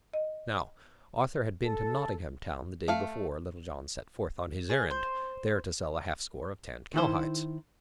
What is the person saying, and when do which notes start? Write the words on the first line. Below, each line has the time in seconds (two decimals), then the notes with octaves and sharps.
Now Arthur had been to Nottingham Town the day before Little John set forth on his errand, there to sell a halfscore of tanned cowhides.
0.14 D#5
1.62 A4
2.88 A3 F5
4.70 G#4
4.90 C5
6.94 D#3 E4 C5